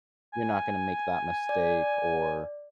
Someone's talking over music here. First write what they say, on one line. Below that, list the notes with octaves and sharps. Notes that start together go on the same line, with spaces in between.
you're not gonna make that mistake or
G#5
D5